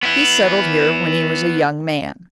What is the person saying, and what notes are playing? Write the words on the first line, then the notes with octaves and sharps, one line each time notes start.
He settled here when he was a young man.
B3 E4